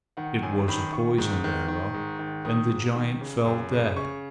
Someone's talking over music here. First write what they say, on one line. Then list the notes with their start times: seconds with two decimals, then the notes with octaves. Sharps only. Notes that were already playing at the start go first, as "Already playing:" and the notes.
It was a poisoned arrow, and the giant fell dead.
0.17 D#3 F#5
0.43 F#2 G#5
0.68 D#3 B5
0.93 D#3 C#6
1.18 G#2
1.44 D#3
1.68 D#3
1.94 G#2
2.19 D#3
2.45 D#3 D#6
2.69 G#2
2.96 D#3
3.21 C#3
3.46 F#2
3.72 C#3
3.96 C#3 C#6